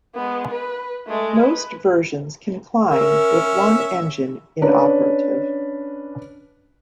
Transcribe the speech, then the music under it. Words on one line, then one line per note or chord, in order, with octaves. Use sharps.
Most versions can climb with one engine inoperative.
G#3 B3
B4
G#3 A3
B4
C#4 A#4 E5
C#4 D4 B4